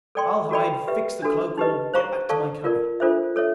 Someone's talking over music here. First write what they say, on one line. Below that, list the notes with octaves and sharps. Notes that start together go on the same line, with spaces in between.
I'll hide, fix the cloak, or get back to my cubby.
A4 D5 G5 C6
F#4 A4 D5 G5 B5
G4 B4 E5
D4 F#4 A4
D#4 G4 B4 D#5
C5 F5 A#5 C#6
A4 D5 F5 A5 C#6
F4 A#4 D5
D4 F4 A4 C5 E5
A4 C#5 E5